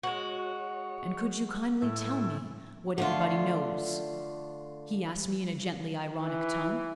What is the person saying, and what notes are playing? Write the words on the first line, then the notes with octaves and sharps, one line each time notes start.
"And could you kindly tell me what everybody knows?" he asked me in a gently ironic tone.
G#3 F#4 C#5
A2 E4
D3 A3 F4
E3